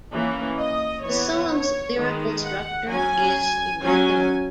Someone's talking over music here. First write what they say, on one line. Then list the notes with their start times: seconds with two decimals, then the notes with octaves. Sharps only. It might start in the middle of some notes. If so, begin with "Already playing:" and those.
The song's lyrical structure is irregular.
0.12 E3 A#3 C#4
0.58 D#5
1.05 E3 B3 C#5
1.51 C#5
1.97 D#3 G#3 B3
2.43 F#5
2.90 F#3 C#4 G#5
3.82 F#3 C#4 G#5